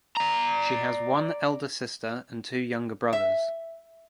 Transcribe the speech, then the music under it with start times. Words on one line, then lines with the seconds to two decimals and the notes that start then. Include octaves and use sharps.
She has one elder sister and two younger brothers.
0.17 D5 A#5
3.13 E5